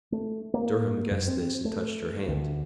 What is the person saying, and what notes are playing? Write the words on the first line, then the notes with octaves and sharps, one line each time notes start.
Durham guessed this and touched her hand.
A3
A#3
F#2
C4
A3
D2